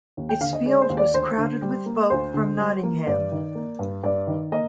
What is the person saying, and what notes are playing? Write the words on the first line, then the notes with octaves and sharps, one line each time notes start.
Its field was crowded with folk from Nottingham.
D#2
G5
D3 F5
D#5
G#3 D5
C5
D#2
D5
D2 C5
D3
G3
A#3
D2 C5
D3
G3
A#3
G2 D5
D#3
A#3
G2
G2 D5
D#3
A#3 D#5